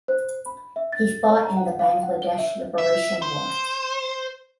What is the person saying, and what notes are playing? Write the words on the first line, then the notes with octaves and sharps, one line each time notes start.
He fought in the Bangladesh Liberation war.
C5
B5
E5
A6
C#5
A#5
F#5
F5
F#5
G7
E5
E5
C5